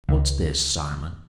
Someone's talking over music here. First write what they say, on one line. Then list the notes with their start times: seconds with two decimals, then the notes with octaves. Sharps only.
"What's this, Simon?"
0.09 C#2